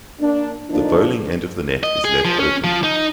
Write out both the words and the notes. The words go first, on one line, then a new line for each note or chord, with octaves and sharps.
The bowling end of the net is left open.
A#3 D4
D3 F3 A#3 D4 D#4
D#5
G#4
F3
C#4
F3
D#4